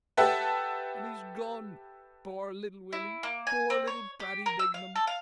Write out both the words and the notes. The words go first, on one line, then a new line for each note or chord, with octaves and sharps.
And he's gone, poor little Willy, poor little Paddy Dignam.
G4 A4 B4 E5 F#5 A5
E4
A#3
G#5
C4
C#5
G4
A#4
E6
F5
A4
F5